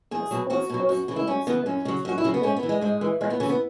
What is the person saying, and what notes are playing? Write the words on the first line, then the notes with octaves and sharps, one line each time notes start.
The school sports teams compete in the Big Eight Conference.
E2 G#4
B2 F#3
E2 F#4
B2 F#3
F#2
C#3 E3
E4
F#2 C#4
C#3 E3 B3
F#2 C#4
C#3 F#3
F#2 F#4
E4
C#3 F#3
B3
G#2 C#4
B3
E3
G#3
G#2 G#3
E3
E2 G#3
B3
C#3 E3 C#4
B3